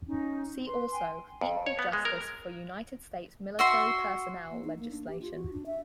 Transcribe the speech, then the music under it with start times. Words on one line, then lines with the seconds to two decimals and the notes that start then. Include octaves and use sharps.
See also Equal Justice for United States Military Personnel legislation.
0.07 C#4 D#4
0.66 B4 C6
0.91 G5 G#5 C6
1.41 F2
1.66 C#5
1.79 B3
1.93 G#3
2.05 A#4
3.59 F#4 E5 C6
4.51 A#3
4.64 D#4
4.78 A#3
4.91 D4
5.08 G4
5.22 F4
5.34 F#4
5.53 D4
5.66 E5